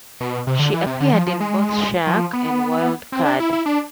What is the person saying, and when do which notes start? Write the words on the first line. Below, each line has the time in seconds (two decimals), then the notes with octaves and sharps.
She appeared in both "Shark" and "Wild Card".
0.21 B2
0.47 C3
0.59 D3
0.74 E3
0.87 C3
1.00 D3
1.14 F3
1.26 F3
1.40 G#3
2.07 F3
2.33 B3
3.12 C4
3.25 D4
3.40 E4
3.53 E4
3.66 D4